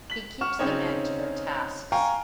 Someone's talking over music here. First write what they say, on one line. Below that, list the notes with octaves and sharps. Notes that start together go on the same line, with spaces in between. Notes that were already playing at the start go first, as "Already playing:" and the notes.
He keeps the men to their tasks.
B6 F#7
F#5 C#6 F6 E7
C#3 C4 C#4 D#4 C#5
F5 G5 G#5 A#5 C#6